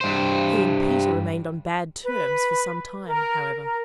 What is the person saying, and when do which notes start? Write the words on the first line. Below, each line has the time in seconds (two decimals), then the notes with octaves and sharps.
He and Peter remained on bad terms for some time, however.
0.01 G2 C5
2.05 B4
3.08 A#4
3.63 A#4